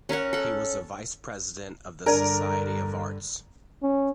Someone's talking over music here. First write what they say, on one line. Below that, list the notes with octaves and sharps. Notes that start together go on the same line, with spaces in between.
He was a vice-president of the Society of Arts.
C#4 A#4 C#5 F#5
A4 F#5
G2 D3 D4 A#4 D5 A5
C#4